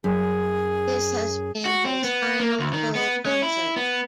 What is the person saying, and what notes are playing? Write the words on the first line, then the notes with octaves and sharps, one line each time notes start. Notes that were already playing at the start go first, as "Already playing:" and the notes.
This has been his final full concert.
F#2 G#4
F#4
C4
B3
A#3
D2
D#3
B3
C#4
E4
B3